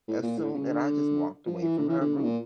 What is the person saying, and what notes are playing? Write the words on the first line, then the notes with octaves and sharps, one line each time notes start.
assumed that I just walked away from her group
A2
A#2
A2
C#3
D3
F3
E3
D3
E3
D3
C#3
A#2